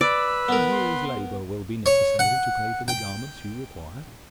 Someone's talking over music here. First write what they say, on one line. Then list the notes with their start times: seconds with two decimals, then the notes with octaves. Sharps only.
"A year's labor will be necessary to pay for the garments you require."
0.01 B4 D5 E6
0.48 B3 A#4
0.71 C6
1.86 C#5
2.19 F#5
2.88 G5